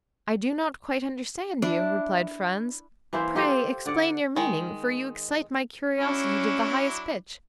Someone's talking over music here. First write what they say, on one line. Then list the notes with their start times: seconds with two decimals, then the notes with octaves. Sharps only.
"I do not quite understand you," replied Franz; "pray explain your meaning, for you excite my curiosity to the highest pitch."
1.62 D4 E4
3.13 E3 A#3 E4 C5
3.35 F4 G4 A4 C5
3.86 D3 D5 F#5
4.36 D#3 G#3
5.97 F#3 C#4 D4 E4